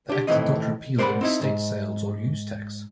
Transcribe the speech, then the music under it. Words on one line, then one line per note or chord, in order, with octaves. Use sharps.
The Act did not repeal any state sales or use tax.
D4 G4
A2 D#3 E3 C4 D#5
A#4 C5 D5 F5 F#5 B5
C4 D#4 E4
B1 G#2